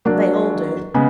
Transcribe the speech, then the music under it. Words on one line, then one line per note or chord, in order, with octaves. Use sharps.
They all do.
F#3 A#3 D4
C#3 G#3 B3